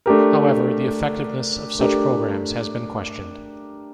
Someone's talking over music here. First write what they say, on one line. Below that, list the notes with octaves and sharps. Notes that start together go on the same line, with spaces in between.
However, the effectiveness of such programs has been questioned.
A3 D4 G4 A#4
A3 D4 G4 A#4